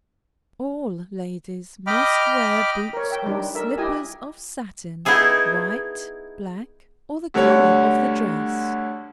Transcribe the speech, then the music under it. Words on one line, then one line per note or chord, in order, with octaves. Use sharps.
All ladies must wear boots or slippers of satin, white, black, or the color of the dress.
D#5 G5 B5 D6 F6
A#4 C#5
E5 G5
G3 D4 D#4
A4 A#4 E5
E4 G4 D#5 G#5
B3 D#4 E4 G#4 A4
D2 D3 G3 C#5